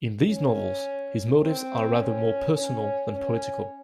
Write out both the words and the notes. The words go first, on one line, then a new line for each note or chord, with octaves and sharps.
In these novels, his motives are rather more personal than political.
C#4
C4
C#4
C#4
C#4